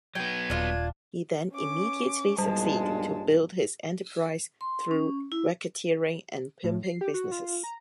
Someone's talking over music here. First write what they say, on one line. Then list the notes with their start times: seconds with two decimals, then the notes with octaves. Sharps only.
He then immediately succeed to build his enterprise through racketeering and pimping businesses.
0.15 F#3 B3 G5 G#6
0.50 D#1 D4 F4
1.53 C#4 D6
2.38 B1 G2 A#2 G3 G#3 A5
4.61 C6
4.91 C#4
5.32 E4
6.64 A2
6.83 C7
7.01 G4
7.14 F#4
7.31 F4
7.63 A#5